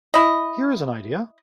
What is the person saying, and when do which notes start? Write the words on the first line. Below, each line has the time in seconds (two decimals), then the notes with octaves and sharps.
Here is an idea!
0.14 E4 D#5